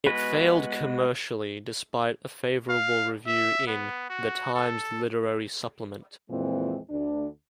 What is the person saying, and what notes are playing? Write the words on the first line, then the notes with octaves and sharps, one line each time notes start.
It failed commercially, despite a favourable review in "The Times Literary Supplement".
G#3 B3 F#4 B4
F5
E5
B3
F#4
A4
F2 A#2 E3 G#3 C4
D2 D4